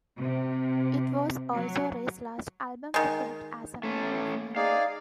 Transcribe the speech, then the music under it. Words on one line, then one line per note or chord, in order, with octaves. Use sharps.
It was also Ray's last album recorded as a member of Menudo.
C3
F#3
D#3 G#3
A3 C#4
D#4 G#4 D5 F5